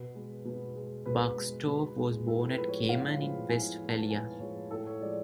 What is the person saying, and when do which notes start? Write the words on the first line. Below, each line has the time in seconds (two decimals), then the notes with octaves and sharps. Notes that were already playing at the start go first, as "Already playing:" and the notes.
Buxtorf was born at Kamen in Westphalia.
Already playing: B2 B4
0.15 G#3
0.45 B2
0.76 G#3
1.06 B2 B4
1.36 G#3
1.67 B2
1.97 G#3
2.27 A2 A4
2.48 B4
2.58 F3 G#3 B4
2.69 C#5
2.89 A2 F5
3.19 F3 G#3
3.49 A2 G#5
3.80 F3 G#3
3.89 A5
4.09 A2 G#5
4.40 F3 G#3 C#5
4.70 A2 A4
4.87 C#5
5.01 F3 G#3 D5